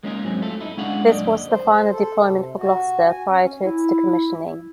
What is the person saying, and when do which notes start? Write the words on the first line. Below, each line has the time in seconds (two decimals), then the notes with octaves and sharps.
This was the final deployment for "Gloucester" prior to its decommissioning.
0.03 G#3 A#3 C#4 D#4 F4 G#4
0.24 G#2 F#3 C4
0.42 A3 F4 A4
0.61 D#4 E4
0.77 G#3 C#4 D4 G#4 F5 F#5
1.08 F#2 A#2 D3 D5 D#5
1.48 C5
1.90 A4
2.22 C3
2.57 F#4
3.10 G#5
3.30 C#4
3.64 E4